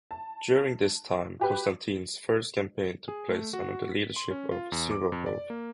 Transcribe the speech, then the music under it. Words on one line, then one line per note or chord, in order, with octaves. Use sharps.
During this time, Konstantin's first campaign took place under the leadership of Suvorov.
A5
F#4 G4 B4
G#4
A3
F#4
B6
C6
C#4
F4
E2
D6
F2
D5
A#3